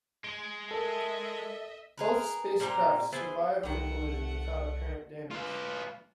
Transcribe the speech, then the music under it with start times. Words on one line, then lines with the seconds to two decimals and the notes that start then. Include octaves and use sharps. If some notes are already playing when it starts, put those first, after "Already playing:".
Both spacecraft survived the collision without apparent damage.
0.24 G#3 D7
0.71 A4 A#4 D#5 E5 A5
1.98 G#4 A#4 B4
2.60 A#2 G3 C4 A#5
3.12 B3 E4 G#4 C5
3.63 C2 C3 D#3 G3 A3 F#5
5.31 F4 B4